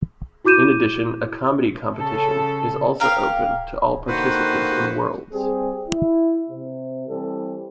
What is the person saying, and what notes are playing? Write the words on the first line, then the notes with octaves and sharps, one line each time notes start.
In addition, a comedy competition is also open to all participants in Worlds.
E4 F#4 D6 G6 D#7 E7
C#3 A4
G4 A#4 F5
D3 D#3 A#3 F#4 B4 C5
G3 C4 G4 G#4
E4
C3
E3 G3 C4 A4